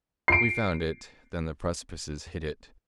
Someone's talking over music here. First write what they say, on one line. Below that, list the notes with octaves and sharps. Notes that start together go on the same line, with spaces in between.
We found it; then the precipices hid it.
C7 D7